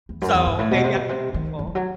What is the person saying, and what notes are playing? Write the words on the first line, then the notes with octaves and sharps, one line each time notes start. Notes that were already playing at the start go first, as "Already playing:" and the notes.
so maybe I can be more helpful.
E2
F#2
E2
G2
A2
B2
C3
B2
C3
D#3
F#3
E3
F#3